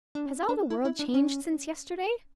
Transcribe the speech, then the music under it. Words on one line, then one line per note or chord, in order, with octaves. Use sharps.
Has all the world changed since yesterday?
D4
C#4
D4
E4
E4
D4
C#4